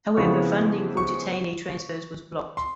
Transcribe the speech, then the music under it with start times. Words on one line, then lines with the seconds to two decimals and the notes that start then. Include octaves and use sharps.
However, funding for detainee transfers was blocked.
0.17 F2 C#3 E3 G#3 B3 C#6
0.97 C#6
2.57 C6